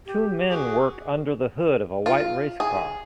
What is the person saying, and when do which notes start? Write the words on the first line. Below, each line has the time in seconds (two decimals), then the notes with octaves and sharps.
Two men work under the hood of a white race car.
0.06 G4
0.50 F#4 G#4 D6
2.06 F4
2.60 G#4